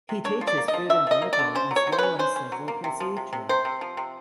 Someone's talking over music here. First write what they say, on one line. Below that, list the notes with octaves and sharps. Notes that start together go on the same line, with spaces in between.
He teaches food and drug law as well as civil procedure.
C3
D4 C#5
F3
D5
A#3
D#5
F3
D3 E5
F3 D#5
A#3
D5
D3
C#4 C5
F#3
C#5
F#3
C5
C#4 B4
C#4 C5
C#4
F#3
A#3
C3
F3
C3
C3
C3 C5
C3
F3
C3